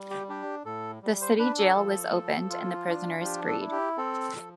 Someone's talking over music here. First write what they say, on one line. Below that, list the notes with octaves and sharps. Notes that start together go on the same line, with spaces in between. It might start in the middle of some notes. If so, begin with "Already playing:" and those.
The city jail was opened and the prisoners freed.
Already playing: G3
G4
D4 G4
A2 A4
G3
C5
D4 B4
A4
F3
F3
F4
D4
F3 G4
A4
E4
G4
C4 A4
F3